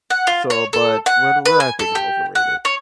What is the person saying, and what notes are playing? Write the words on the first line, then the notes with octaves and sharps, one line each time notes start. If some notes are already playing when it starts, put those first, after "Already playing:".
So, but where do where do I think it's overrated?
F#5
F4
C#5
A4
F#5
B4
G#5
A4
G4
F#5
C#5